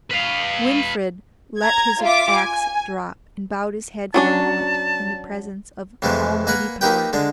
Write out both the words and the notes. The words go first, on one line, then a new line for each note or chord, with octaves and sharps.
Winfried let his axe drop, and bowed his head for a moment in the presence of almighty power.
B4 F5
A#5 G#6
F4 E5 D6
G#5
F#3 C#4 D4 A5
F2 C3 E3 F3 G#3 A3
A#3 A#4 B4 F#5 G#5
A#3 D#4 G4 B4 G5
D3 G#3 D4